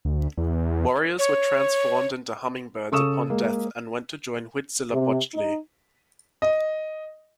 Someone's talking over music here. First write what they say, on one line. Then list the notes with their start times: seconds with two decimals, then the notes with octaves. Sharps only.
Warriors were transformed into hummingbirds upon death and went to join Huitzilopochtli.
0.05 D2
0.38 E2
1.19 C#5
2.92 C#3 A4 C#6 D#6 E6 E7
3.30 G#3 A#3
4.91 C3
5.34 D#4
6.42 D#5